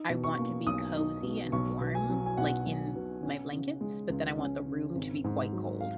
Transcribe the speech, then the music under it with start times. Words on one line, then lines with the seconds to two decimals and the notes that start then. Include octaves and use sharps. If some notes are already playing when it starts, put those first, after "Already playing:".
I want to be cozy and warm, like, in my blankets, but then I want the room to be quite cold.
Already playing: D#4
0.10 B2
0.24 C#6
0.38 A#3
0.66 B1 D#6
0.96 D#4
1.23 B2
1.52 B1 C#6
1.81 B2
1.95 G#5
2.09 F#3
2.26 G#5
2.37 B1 F#5
2.66 B1
2.96 B2
3.23 C#4
3.53 C#3
3.81 G#3
4.10 C#2
4.38 C#4
4.66 C#3
4.95 G#1
5.24 G#2
5.53 F#3
5.81 F5